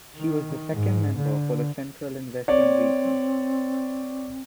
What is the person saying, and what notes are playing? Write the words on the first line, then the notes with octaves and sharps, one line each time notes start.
She was the Second Member for the Central and Western Regions.
D#3
G#2
D3
C4 C#5 D5